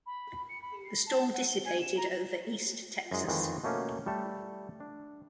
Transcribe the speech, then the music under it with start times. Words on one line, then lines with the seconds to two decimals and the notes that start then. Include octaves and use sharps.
The storm dissipated over east Texas.
0.06 B5
0.49 C#7
0.62 B5
0.85 C7
1.06 A5
1.33 F#5
1.47 G7
1.65 G#5
1.80 E7
1.97 A#5
3.11 F#2 G#3
3.27 F2 D#3 E3 G#3
3.64 B2 A3 A#3 C#4
4.06 G3 A3 A4
4.80 D4